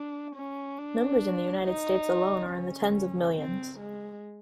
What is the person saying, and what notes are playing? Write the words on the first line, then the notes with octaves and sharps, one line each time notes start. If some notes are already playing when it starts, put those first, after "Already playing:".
Numbers in the United States alone are in the tens of millions.
Already playing: D4
C#4
D4
D#4
C#4
C4
G#3